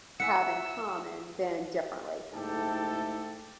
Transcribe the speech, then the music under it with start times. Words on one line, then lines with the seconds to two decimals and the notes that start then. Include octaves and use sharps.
have in common than differently.
0.20 E4 E5 F#5 G#5 E6 C#7
2.33 F#1 G#2 A3 E4 G4 A4